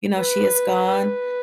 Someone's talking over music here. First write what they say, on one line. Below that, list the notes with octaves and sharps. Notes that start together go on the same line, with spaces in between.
you know, she is gone.
B4
B4